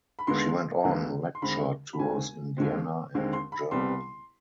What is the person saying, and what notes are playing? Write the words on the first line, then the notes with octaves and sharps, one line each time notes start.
She went on lecture tours in Vienna and Germany.
B5
D#2 D3 G#3 B3 C6
D#2 D3 G#3 B3
C6
D#2 D3 G#3 C4 B5
B5
D#2 D3 G#3 C4 G#5
D#2 D3 G#3 C4
D#2 D3 G#3 C4
C6
B5
C2 C3 G3 B3 C6